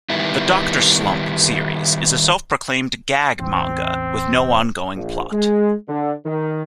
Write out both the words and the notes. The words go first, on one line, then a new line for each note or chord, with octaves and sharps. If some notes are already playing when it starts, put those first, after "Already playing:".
The "Doctor Slump" series is a self-proclaimed gag manga with no ongoing plot.
D#3 G3 B3 E4
A1 E2 C4
A#1
G#3
D3
D#3